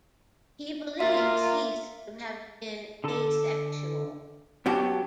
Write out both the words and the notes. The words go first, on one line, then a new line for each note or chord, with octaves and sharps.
He believes Heath to have been asexual.
A#3 F4 E5
D3 A4 A5
B2 F#3 B3 C#4 G4 A5